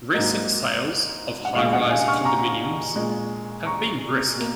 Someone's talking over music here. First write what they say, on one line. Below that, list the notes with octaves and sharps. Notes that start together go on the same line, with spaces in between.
Recent sales of high-rise condominiums have been brisk.
G#2 F#3 A#3 D#5
F#5
A#2 G#3 F5
D#5 F#5
F5 G#5
C#6 F6
A#5 C#6
A#2 G#3
A#5 C#6
B2 A#3